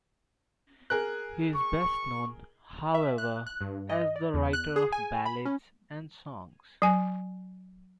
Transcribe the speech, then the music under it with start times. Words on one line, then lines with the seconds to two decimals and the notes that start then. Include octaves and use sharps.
He is best known, however, as the writer of ballads and songs.
0.90 G#4 A#4 F#6
1.54 C#6
2.94 E5
3.18 F#6
3.47 F#6
3.61 G2
3.89 D#5
4.16 D5
4.34 E2
4.53 F#6
4.76 G#4
4.92 G#5
5.25 B5
5.45 C#4
6.82 F#3 G#5